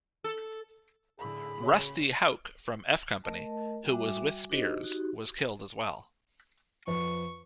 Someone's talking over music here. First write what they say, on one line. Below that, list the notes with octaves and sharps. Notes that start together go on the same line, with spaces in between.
"Rusty" Houck from F Company, who was with Speirs, was killed as well.
A4
A2 D3 G#4 B5
C#3 F#4 C#5 E5
A3 A#4 D#5 A5
G3 F#4 E5 G#5 D6
D4 D#4 F#4 G4 C5 D#5
D#4 F#4 G4
F2 F3 B4 C#6